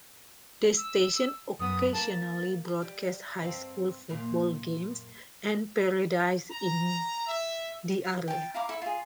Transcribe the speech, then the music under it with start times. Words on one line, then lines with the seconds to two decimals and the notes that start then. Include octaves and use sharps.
The station occasionally broadcasts high school football games and parades in the area.
0.76 E6
1.59 F#2 B3 D#6
1.93 A#3 A#4 A5
2.11 A6
2.82 G3
3.40 G2 C4 F5
4.09 F#2 A#2 A#3
6.51 A#5
7.26 E5
8.28 G5 A5
8.54 E4 F5 A#5 D6
8.69 E4 A4
8.82 F4 G#4